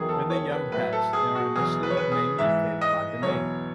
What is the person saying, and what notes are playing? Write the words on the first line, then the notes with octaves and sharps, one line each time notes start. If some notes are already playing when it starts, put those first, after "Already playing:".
When the young hatch they are initially mainly fed by the male.
Already playing: E2 D#3 F#3 G#4
A4
C#5
B4
A2 F#3 B4
A4
G#4
F#4
E2 B2 F#3 G#4
B4
C#5
B4
G#4
G#2 E3 E5
D#5
E2 B2 F#3 C#5